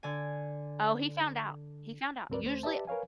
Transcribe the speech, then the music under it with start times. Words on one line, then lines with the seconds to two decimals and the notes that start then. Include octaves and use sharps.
oh, he found out, he found out. Usually uh,
0.03 D3 G#5
2.30 D2 G#2 C4 A#4 B4 D5
2.43 D#2 A3 C5
2.63 G4 B4 D5 E5 A5
2.87 A#4 B4 C#5 F5 G#5